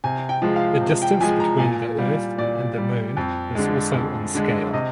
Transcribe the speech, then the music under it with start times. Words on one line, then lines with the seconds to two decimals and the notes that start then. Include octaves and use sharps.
The distance between the Earth and the Moon is also in scale.
0.04 C3 G#5
0.29 G5
0.42 F3 G#3
0.56 F5
0.81 C3
1.02 G5
1.20 F3 G#3 G#5
1.40 A#5
1.59 A#2 G#5
1.98 G3 F5
2.38 A#2 D5
2.78 G3
3.17 F2
3.55 D3 G#3
3.94 F2
4.35 D3 G#3
4.73 C3 D#5